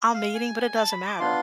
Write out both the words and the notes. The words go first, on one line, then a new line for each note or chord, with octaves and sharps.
I'm meeting, but it doesn't matter.
F5
G#5
A5
B5
D6
B3 D4 F4 C6